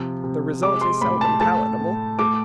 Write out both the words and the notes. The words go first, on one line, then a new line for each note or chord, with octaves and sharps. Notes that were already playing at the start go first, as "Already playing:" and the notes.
The result is seldom palatable.
Already playing: C3 F3
C3
G#3 D6
C6
A2 B5
A5
A3 A5
A2
A3 D6